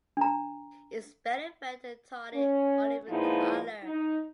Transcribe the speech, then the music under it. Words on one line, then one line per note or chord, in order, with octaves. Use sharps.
Its belly fur is tawny olive in color.
D4 A#5
C#4
A#2 F3 G#3 B3 D#4 E4
D#4